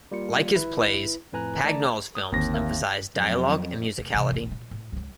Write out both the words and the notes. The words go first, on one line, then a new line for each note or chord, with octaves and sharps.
Like his plays, Pagnol's films emphasize dialogue and musicality.
G3 A#3 F4 C#7
G#1 E4 B4
F2 A2 B4 G#5 A#5 F#6
D#3 A3 D5 A5 A#5
D#6
G1 D#2 D3 C4 A#6
A#4 E5 F5
F2 F#3
F1
C3 E3
D1 A1
A#2 F#3
A2
C#2 F#3